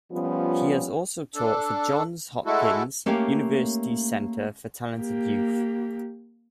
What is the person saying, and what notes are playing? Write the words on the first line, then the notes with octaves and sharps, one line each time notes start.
He has also taught for Johns Hopkins University's Center for Talented Youth.
F3 G3 B3 C#4 F4
D4 A4
G#3 A3 E4 F#4 A4
A3 A#3 C#4 G4 C#5 F5
A#3 G4